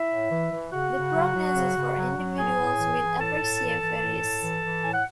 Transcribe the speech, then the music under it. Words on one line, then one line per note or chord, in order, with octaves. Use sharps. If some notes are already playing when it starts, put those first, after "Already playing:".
The prognosis for individuals with apraxia varies.
Already playing: E4 E5
A2
E3
E3
C#3 F#4 F#5
C#3
F#3
F#3
C#3
C#3
F#3
F#3
A2 G#4 G#5
A2
E3
E3
A2 A4 A5
A2
E3
E3
A2
A2
E3
E3
A2 G#5
F#5